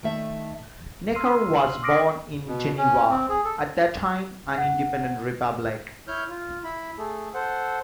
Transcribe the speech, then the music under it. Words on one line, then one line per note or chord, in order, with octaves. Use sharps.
Necker was born in Geneva, at that time an independent republic.
D#3 A3 E5
C6 E6 F6 C7 D#7
F#7
D6 D#6 F6 A#6 C7 D7
B2
C#4
C4
G#4
A4
F#5
E4 C#5 F6 G6
F4
E4 B5
A3 G#4 A4
A4 C5 F#5